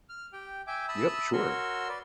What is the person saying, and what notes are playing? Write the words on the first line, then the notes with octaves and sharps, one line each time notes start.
Yep, sure.
F6
G4 G5
E5 G5 G#5 D6
E5 A5 B5 D#6 E6
F#4 A#4 C#5 C6 E6
B4 D5